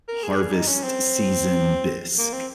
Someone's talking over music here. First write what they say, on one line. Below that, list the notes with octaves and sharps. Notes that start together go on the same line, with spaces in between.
harvest season bisque.
A#4
G#4
G#4
D#4
C#4
C4
A#3
C4